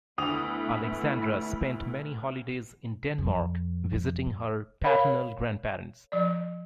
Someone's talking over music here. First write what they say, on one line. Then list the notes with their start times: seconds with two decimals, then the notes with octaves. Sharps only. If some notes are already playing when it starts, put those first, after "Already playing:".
Alexandra spent many holidays in Denmark visiting her paternal grandparents.
0.18 D2 A3 B3 E4 D#6 F7
3.18 F2
4.84 A#4 C#5 F5 B5
6.12 F3 D5